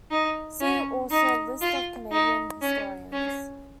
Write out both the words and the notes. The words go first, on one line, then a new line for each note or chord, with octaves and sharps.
See also "List of Canadian historians".
D#4
C#4
D#4
F4
D#4
C#4
C#4